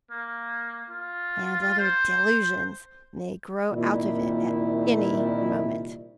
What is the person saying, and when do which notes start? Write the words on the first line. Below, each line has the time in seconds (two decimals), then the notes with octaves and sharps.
"And other delusions may grow out of it at any moment."
0.11 A#3
0.90 F4
1.79 C5
3.71 C2 A#2 D#3 E4 D5